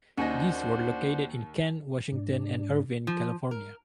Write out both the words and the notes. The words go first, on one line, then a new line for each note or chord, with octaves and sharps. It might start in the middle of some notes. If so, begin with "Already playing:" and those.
These were located in Kent, Washington and Irvine, California.
D#2 C#4 D4 F#4 C5 D#5
G#2 D4
F3
A#4